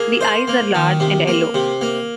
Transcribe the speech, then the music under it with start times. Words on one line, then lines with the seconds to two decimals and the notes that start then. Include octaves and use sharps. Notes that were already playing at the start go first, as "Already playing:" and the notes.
The eyes are large and yellow.
Already playing: A#3 G#4
0.21 C5
0.48 A#3
0.75 D#3
1.00 C3
1.27 A#3
1.54 C3
1.81 A#3